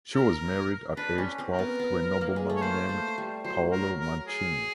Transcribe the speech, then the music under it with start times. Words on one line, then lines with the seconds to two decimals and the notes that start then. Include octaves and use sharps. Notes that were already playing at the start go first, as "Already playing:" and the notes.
She was married at age twelve to a nobleman named Paolo Mancini.
0.15 A#4
0.97 D4 B4
1.18 C#4
1.38 C4
1.53 A#4
1.59 B3
1.79 B3
2.21 A#3
2.36 G#3
2.50 A3
2.56 C#5
2.62 A#3 C5
2.89 A3
3.18 G3
3.44 F#3 C5
3.72 A#4
3.99 A#4
4.28 G#4